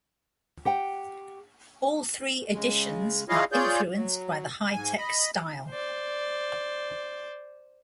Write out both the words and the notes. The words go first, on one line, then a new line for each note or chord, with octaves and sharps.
All three additions are influenced by the high-tech style.
G4 F#5 G5
C#3 G#3
E4 F4 G#4 C#5 D#5 F5
F4 G#4 C#5 D5 G6
F#3
G#2 G#5
D#5 B5
C5 D5